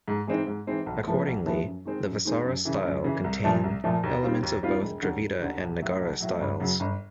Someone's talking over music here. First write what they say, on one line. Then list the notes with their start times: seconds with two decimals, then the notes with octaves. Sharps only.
Accordingly, the "Vesara" style contain elements of both Dravida and Nagara styles.
0.08 G#2
0.27 E3 G#3 C4 D#4
0.47 G#2
0.67 E3 G#3 C4 D#4
0.86 B1
1.07 A2 F3 G#3 B3
1.26 B1
1.46 A2 F3 G#3 B3
1.66 F#2
1.85 D#3 G#3 C4
2.05 F#2
2.25 D#3 G#3 C4
2.45 F#2
2.65 C#3 E3
2.85 F#2
3.04 C#3 E3
3.24 C2
3.44 A#2 F3 A3
3.64 C2
3.84 A#2 F3 A3
4.03 D#2
4.23 D#3 G3 C4 F4
4.43 D#2
4.63 D#3 G3 C4 F4
4.83 E1
5.02 D#2 D3
5.22 E1
5.42 D#2 D3
5.61 B1
5.82 A2 F#3
6.01 B1
6.20 A2 F#3
6.41 G1
6.60 F#2 C#3 F#3
6.80 G1